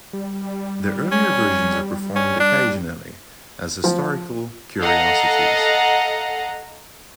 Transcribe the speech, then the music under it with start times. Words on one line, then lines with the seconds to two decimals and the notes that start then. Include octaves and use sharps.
The earlier versions are performed occasionally as historical curiosities.
0.13 G3
1.12 C#4
2.16 C#4
2.40 D4
3.84 F3
4.80 A4 D#5 F5 F#5 A#5